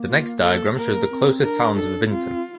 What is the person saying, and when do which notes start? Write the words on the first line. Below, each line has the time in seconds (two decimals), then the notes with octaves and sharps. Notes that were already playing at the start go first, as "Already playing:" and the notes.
The next diagram shows the closest towns to Vinton.
Already playing: A#3
0.09 F4
0.42 A4
0.75 A#3 A#4
1.10 C4
1.43 D4 A#4
1.76 A4
2.10 C4 F4